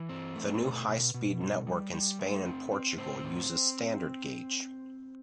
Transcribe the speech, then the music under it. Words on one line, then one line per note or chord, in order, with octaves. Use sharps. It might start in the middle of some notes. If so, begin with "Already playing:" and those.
The new high-speed network in Spain and Portugal uses standard gauge.
Already playing: E3
C4
A3
B2
B2
B2
G3
G3
G3
A3
C4
C4
A2 C4 C5
A2